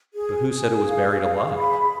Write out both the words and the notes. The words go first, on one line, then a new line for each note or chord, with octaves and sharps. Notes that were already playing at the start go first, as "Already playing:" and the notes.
"But who said it was buried alive?"
G#4
G#4
F5
G#4
B5